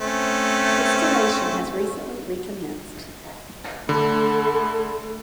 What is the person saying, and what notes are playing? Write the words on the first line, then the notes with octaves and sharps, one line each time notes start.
Distillation has recently recommenced.
A3 C4 C#4
D3 A3 A4 B5